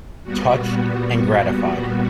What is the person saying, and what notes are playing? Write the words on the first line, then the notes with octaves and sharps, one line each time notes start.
Touched and gratified.
A#2 G3 B3 F#4
F#4